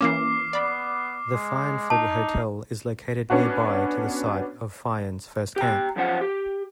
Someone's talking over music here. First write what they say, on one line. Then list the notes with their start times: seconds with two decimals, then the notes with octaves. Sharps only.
The Fyansford Hotel is located nearby to the site of Fyan's first camp.
0.01 E3 A#3 C#4 D6 F6 C7
0.53 B3 D5 B5
1.33 G#3
1.90 D#4 A5
3.30 B3 C#4 D4 F#4
5.56 G4 G5 A#5
5.96 F#2 F3 C#4 F4 C5 F#5
6.21 G4